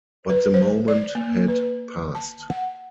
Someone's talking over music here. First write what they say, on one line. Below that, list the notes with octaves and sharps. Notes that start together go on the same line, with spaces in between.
But the moment had passed.
B4
C5
D5
A#3
B4
A5
F#5